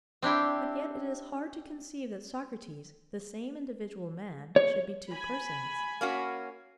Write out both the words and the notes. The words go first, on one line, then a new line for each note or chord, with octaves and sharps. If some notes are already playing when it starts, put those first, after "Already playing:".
But yet it is hard to conceive that Socrates, the same individual man, should be two persons.
C4 D4 E4 G4
C#5
G#5 B5
A#3 C#4 F#4